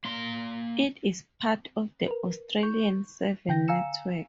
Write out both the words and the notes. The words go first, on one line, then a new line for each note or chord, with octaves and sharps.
It is part of the Australian Seven Network.
A#3 C6
A#4 B4
C#6 G6
D3 G5 G6 A#6
F5 G#5 A#5 E6 C#7 E7